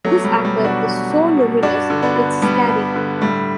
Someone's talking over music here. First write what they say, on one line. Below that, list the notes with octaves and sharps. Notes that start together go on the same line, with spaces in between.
This actor is so luminous it's scary!
E2 F#3 A3
G3
B2
G3
B2
D4 F#4
E2
E2
B2
G2 D4 F#4
D3
B3 D4
D3
G2 G3 B3
G2
D3
A2 G3